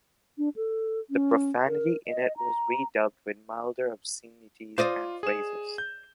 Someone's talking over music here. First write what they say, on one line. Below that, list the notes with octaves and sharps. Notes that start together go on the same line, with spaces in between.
The profanity in it was re-dubbed with milder obscenities and phrases.
D4
A4
C#4
A#4
D#5
A#5
F4 C5 D5 D#5
G#4 E7
G6